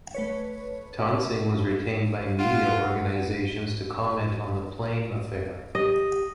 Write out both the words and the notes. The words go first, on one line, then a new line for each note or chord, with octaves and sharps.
Toensing was retained by media organizations to comment on the Plame Affair.
A3 B4 C#5
F4 F#5
G4 D#5